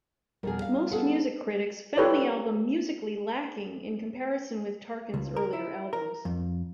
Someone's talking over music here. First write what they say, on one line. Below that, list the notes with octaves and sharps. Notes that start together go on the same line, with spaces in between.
Most music critics found the album musically lacking in comparison with Tarkan's earlier albums.
F2 B2 G3 G#4 A#4
F5
B3 G#4 A4 F5 F#5
G4 A4 B4 C#5 D5
C#2
A#4
E4
A#4
F2